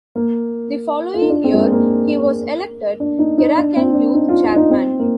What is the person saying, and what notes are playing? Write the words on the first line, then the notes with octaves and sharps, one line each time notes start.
The following year, he was elected Gerakan Youth chairman.
A#3
F4
D#4
D4
C4
G#3
A#3
A#3
D4
D#4
D#4
D4
C4
D4
D#4
F4
F4
D#4
C4
A#3